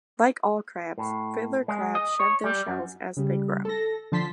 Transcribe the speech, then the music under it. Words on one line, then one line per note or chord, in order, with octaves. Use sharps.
Like all crabs, fiddler crabs shed their shells as they grow.
A2
G#3
D#5
C#5
G3
F#2
C#3 G3
A4 A#6
D3 F3 A5 C6 B6